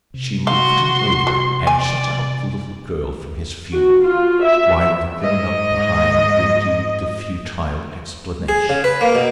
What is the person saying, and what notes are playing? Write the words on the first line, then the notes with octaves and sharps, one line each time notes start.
She moved him over, and shut out the little girl from his view, while the grown-up behind renewed the futile explanations.
C3
F#4 F5 C6
F#4
D5 G#5
F#4
F4
E5
G#2 D#5
G#4
C#3
B4
A#3
B2